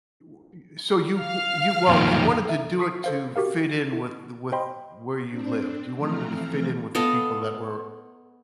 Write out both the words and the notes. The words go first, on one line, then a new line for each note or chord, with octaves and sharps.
w so you w you well, you wanted to do it to fit in with the with where you lived. You wanted it to fit in with the people that were
F5 F6
F2 A#2 D#3
A4 E5
C#6 D#6 B6 C7
A4 C5 F5
F#4 G4 A#4 F5
E4
C5 D#5 G5 B5 C6
C4 D4
E3 F3 A3 C4 A#5 F6
B3 A4 D#5 F5